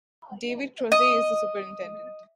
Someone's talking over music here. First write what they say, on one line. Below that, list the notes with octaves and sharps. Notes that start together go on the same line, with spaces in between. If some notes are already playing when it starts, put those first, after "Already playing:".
David Kroeze is the Superintendent.
D#5